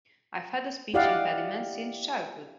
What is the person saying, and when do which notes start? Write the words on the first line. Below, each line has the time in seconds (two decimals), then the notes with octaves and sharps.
I've had a speech impediment since childhood.
0.94 E4 G4 D5 D#5 F5 F#5